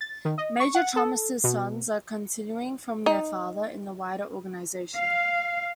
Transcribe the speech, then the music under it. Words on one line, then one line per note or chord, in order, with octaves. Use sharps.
Major Thomas' sons are continuing from their father in the wider organisation.
A6
D#3
D#5
C#6
F#5
A4
B2
D#4
F5